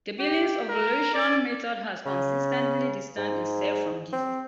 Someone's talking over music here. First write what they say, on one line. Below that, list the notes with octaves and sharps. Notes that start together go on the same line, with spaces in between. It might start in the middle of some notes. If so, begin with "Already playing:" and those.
The Billings Ovulation Method has consistently distanced itself from these.
G4
A#4
D5
C#3
G#2
C4